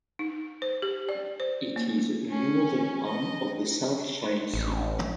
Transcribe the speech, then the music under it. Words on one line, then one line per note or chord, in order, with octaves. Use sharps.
It is a northern arm of the South China Sea.
D#4
C5
G4
D5
C5
A#3
C#4
D#5
A1